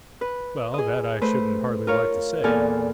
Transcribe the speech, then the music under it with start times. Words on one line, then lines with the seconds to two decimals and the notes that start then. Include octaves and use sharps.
'Well, that I shouldn't hardly like to say.
0.21 B4
0.74 G#4 D#5
1.21 A3 B4 C5
1.87 F4 A#4 C#5 F5
2.44 E2 A#2 A4 D5 G#5 F6